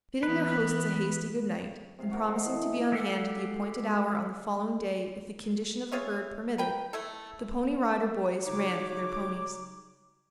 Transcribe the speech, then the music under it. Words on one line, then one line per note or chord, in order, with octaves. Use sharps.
Bidding their hosts a hasty good night, and promising to be on hand at the appointed hour on the following day if the condition of the herd permitted, the Pony Rider Boys ran for their ponies.
E3 B3 B4
C3 F5
F#4 A#4 C5
A4 D#5
E3
F#3 G#3 G4 A4 F5 F#5
F4 G#4 C#5 E5
A#4 B4 G5
A3 E4 A4
C#3 D#4 F#4 C#5 D6